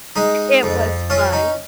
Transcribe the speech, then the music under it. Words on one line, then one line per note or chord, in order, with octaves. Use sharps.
it was fun.
G#3 D#4
F2
C#4 F4
D#4